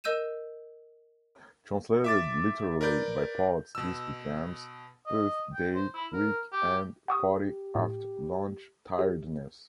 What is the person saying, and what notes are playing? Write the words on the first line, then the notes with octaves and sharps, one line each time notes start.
Translated literally by parts this becomes "birth day week end party after lunch tiredness".
A#4 D#5 E6 G6 D#7 E7
E5 D6 A6
A#4 B4 D5 G6
B2 E6
D#5
G5
C5
E4
A#4
G4
G4 F#5 C#6 D#6
A2
G4